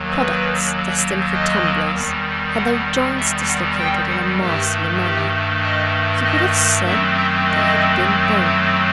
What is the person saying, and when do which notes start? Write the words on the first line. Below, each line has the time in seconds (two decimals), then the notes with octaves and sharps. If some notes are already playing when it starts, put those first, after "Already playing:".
Products, destined for tumblers, had their joints dislocated in a masterly manner--you would have said they had been boned.
Already playing: D#2 D#3 F#3
0.11 B4
1.34 D#5
1.95 E2 D#3 G3
2.57 F#5
3.18 E5
3.48 F#5
3.79 G5
4.10 F#5
4.41 G2 D#3 A3 G4
5.03 G4
5.64 D#5
6.25 D#5
6.86 F#2 D#3 F#3 A3 C4 E5
7.17 E5
7.48 D#5